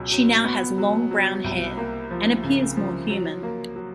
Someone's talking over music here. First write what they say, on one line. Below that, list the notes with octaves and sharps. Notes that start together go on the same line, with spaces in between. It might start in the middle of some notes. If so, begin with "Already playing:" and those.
She now has long brown hair, and appears more human.
Already playing: C#2 B2 F#3
F#3
B3
F#3
F#3
C2
A#3
F3
C#3
F3
F#3
A#3
F#3